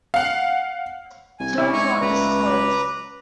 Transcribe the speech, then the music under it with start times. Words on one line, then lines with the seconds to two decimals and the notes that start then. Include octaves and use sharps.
Terms not disclosed.
0.14 F5 F#5
1.40 C2 G#5
1.58 C3 E4 C#5 D5 E5
1.73 G#2 G#5 A#5 C#6
2.01 C#2 B4 A#5
2.46 D6